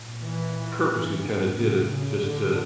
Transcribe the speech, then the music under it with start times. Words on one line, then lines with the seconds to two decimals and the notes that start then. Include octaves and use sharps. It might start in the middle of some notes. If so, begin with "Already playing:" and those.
purposely kinda did it just to
Already playing: A#2
0.22 E3
1.22 A2 D3
1.55 C#3
1.88 C#3
2.22 D3